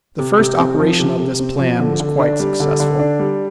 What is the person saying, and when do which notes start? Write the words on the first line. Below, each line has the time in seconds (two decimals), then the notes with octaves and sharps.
The first operation of this plan was quite successful.
0.19 C3
0.39 C3
0.59 C4
0.80 F3
1.00 C3
1.20 C3
1.39 C4
1.59 F3
1.79 D3
2.00 D3
2.19 D4
2.40 G3
2.60 D3
2.80 D3
2.99 D4
3.20 G3